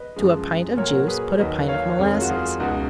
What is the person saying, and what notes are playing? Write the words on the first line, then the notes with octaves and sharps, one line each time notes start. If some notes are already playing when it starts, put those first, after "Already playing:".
To a pint of juice, put a pint of molasses.
Already playing: B4 D#5
F#2 F3 G#3
A#2 F#3 A#4 C#5
F#4 A#4
G#4 B4
D#2 D#3 F#3 B4 D#5
C#5 F5
F2 D#3 G#3 A#4 C#5
F4
F#4
F4 G#4
C#2 B2 G#3 D#4 F#4